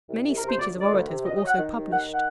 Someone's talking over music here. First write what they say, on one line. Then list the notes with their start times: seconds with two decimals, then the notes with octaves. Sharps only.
Many speeches of orators were also published.
0.09 C2
0.26 C3
0.37 C3 A#4
0.48 C5
0.59 D2 D5
0.75 D2
0.81 D5
0.92 D2
1.08 C3
1.25 D2 D#5
1.36 D#5
1.41 F#3
1.47 F#5
1.58 D#3
1.74 D#2
1.91 D#3 F#5
2.13 F#5